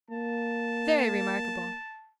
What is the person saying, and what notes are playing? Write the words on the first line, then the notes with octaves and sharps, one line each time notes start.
Very remarkable!'
A#3 A5